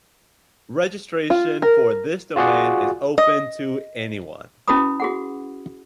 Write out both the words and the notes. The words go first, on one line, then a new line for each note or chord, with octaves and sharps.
Registration for this domain is open to anyone.
F4
A#4
F4 F#4 G#4 D5 F#5
D#5
C#4 E4 F#4 B4 B5 D#6
F#4 G#4 F#5